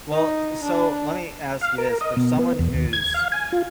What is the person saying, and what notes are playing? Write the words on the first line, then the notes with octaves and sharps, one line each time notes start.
Well, uh, so, let me ask you this. For someone who's
D#4
D4
F5
A#4
D#5
B2
B3
E2
D#2
G#6
F5
G#5
F4